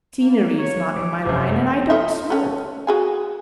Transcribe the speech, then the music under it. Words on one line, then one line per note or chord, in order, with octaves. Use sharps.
Scenery is not in my line, and I don't smoke.
A#3
C#5
D6
F1 F#2 C5
A3 F4 E5
A3 C#4
F#4 G#4 G#5